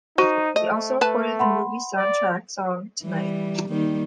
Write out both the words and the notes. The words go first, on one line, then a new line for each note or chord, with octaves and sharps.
He also recorded the movie's soundtrack song - Tonight.
D#4 F#4 C5 D#7
A3 D#5
A3 B4 A5
F#5 B5 C6
D5
E3 G3
D#3 G3 A#3